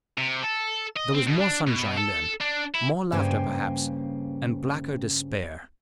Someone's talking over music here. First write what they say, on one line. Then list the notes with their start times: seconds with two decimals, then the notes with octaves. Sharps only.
There was more sunshine then, more laughter perhaps, and blacker despair.
0.18 C3
0.43 A4
0.97 D#5
1.14 C4
1.27 B2
1.40 D4
1.67 B2
1.97 A4
2.41 D4
2.75 E4
3.12 G2 C#3 A#3 C5 G5 G#5